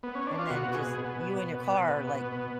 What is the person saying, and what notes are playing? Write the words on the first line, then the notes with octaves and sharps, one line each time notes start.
and then, just, you and your car are, like,
B3
C#4
D4
F4
B2 F#4
B2
G#4
B2
B3
B2
B2
B2
B2
B2
B2
B2
B2